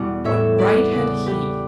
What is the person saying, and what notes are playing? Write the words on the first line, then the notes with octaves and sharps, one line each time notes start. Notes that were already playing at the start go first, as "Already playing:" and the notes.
What right had he?
Already playing: E2 B2 G3 B3 B4 D5
A2 C#5 E5
G3 B3 B4 D5
C#3 B4 D5
G3 B3 G4 B4